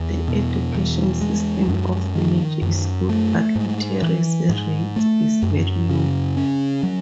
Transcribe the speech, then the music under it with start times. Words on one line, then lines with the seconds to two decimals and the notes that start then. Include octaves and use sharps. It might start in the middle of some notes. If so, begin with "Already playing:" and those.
The education system of Village is good but literacy rate is very low.
Already playing: E2
0.28 B2
0.75 E2
1.21 G#3
1.68 F#2
2.15 D#3
2.62 F#2
3.09 A3
3.56 G#2
4.02 E3
4.49 G#2
4.96 A3
5.43 F#2
5.89 C#3
6.37 C#4
6.83 F#3